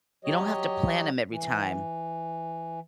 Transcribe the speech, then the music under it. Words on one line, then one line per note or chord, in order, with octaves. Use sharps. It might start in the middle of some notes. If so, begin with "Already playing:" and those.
you don't have to plant 'em every time.
F#3 G4 C#5 D#5
E3